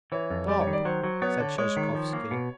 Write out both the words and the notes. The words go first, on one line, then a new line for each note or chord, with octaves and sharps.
"Stop!" said Sheshkovsky.
E3 C#5
F2
G3 D5
C#5
D#3
D5
F#3 C5
F#3
B3 C#5
D3
G#3 C#5
D#3
F3
A#3
B2